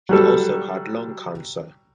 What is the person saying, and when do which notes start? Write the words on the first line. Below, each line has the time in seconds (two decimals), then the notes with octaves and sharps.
He also had lung cancer.
0.09 F#3 G3 A4